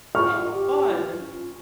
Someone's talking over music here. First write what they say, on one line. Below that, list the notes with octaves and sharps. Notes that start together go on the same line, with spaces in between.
Oh, fun.
F4 C#6 F6
F4
G4
E4
F4
F4
C#4
F4